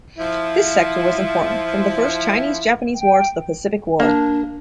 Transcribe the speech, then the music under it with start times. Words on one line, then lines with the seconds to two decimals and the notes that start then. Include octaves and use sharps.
This sector was important from the First Chinese-Japanese war to the Pacific War.
0.18 F3 E4
2.94 G5
4.00 A#3 D4